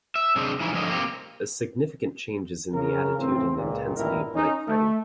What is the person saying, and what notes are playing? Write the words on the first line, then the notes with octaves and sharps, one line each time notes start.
A significant change is in the attitude and intensity of knight fighting.
E5
C3 F#3 D4 G#4 C5 D#5
E3 F3 D#4 E4
G2 D3 F3 C#4 G4 D#5
A#3 C4 F4 G4
C#3 A#4
A2 C#3 E3 C4
C#2 A#2
A1 G2 A#2 D#3 E4 A#4
C#4 D#4
A3